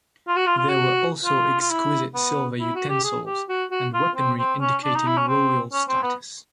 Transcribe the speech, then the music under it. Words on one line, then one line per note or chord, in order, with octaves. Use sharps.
There were also exquisite silver utensils and weaponry indicating royal status.
F4
F#4
F4
F4
F#4
F4
F4
E4
B3
E4
F#4
G4
G#4
G4
F#4
F#4
F4
C4
C4
C#4
D4
D#4
E4
C#4
C4
C#4
C4
B3